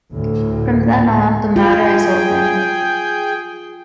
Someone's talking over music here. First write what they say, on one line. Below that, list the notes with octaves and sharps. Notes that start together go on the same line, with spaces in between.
From then on, the matter is open.
D2 A2
F4 G#4 G5